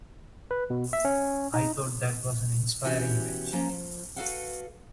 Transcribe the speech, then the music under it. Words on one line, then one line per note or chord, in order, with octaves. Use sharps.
I thought that was an inspiring image.
B4
B2
E5
C#4
D#4
B2 E3 C#4 F#4 G4
F3 A#3 C#4 G4 A5 A#5
F3
F#4 G#4 A4 B4 F5 F#5